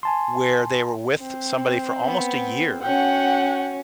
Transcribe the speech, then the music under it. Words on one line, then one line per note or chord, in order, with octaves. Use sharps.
where they were with somebody for almost a year,
G#5 A5 C6
C4
B3
C#4 F#4 F#5 G5